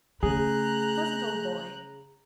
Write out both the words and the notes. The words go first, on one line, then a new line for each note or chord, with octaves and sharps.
Pleasant old boy.
C#3 A3 G#4 A#5 F#6 G6